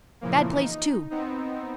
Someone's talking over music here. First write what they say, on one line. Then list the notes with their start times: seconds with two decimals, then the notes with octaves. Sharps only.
Bad place, too.
0.21 A#2 C#3 E3 F3 A#3
0.52 D#4
1.10 B3 C4 D#4